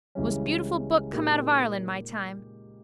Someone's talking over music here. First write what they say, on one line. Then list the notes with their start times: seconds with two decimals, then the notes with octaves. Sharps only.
Most beautiful book come out of Ireland my time.
0.15 C#2 C#3 E3 G3 C#4
1.13 A#2 G#3 D#4 G4 A#4